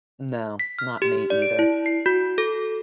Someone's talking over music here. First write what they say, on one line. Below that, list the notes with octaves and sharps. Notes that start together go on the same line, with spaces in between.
No, not me either.
B6
F6
G4
D5
D7
E4
C7
F#4
A4